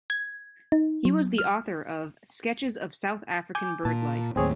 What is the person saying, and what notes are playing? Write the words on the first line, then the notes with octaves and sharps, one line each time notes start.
He was the author of "Sketches of South African Bird-Life".
G#6
D#4
F#3
F6
G#5 D6 G6
A#2 A5
D#2 A2 C4 G#4 C#5